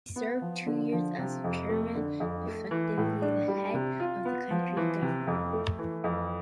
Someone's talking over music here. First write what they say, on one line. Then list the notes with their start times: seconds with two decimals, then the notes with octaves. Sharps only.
She served two years as chairman, effectively the head of the county's government.
0.16 B3
0.42 F3
0.67 D3
0.92 F3
1.18 C3
1.44 F2
1.69 A3
1.95 D3
2.20 F2
2.47 A3
2.71 E3
2.98 A2
3.22 D4
3.48 G3
3.74 C3
4.00 F4
4.25 B3
4.51 F3
4.77 E3
5.02 C3
5.27 F2
5.53 A3
5.79 E3
6.04 F2